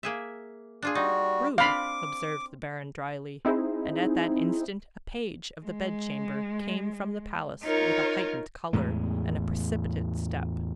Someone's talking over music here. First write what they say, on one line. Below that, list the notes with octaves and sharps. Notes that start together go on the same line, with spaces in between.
"True!" observed the Baron, dryly, and at that instant a page of the bedchamber came from the palace with a heightened color, and a precipitate step.
A#3 G#4 E5
D4 F4 G#4
G3 D#4 F#4
C4 D4 F4 F5 B5 D6
C4 D#4 E4 G#4 C5
G#3
D#4 F4 A#4 C#5
E2 A2 G#3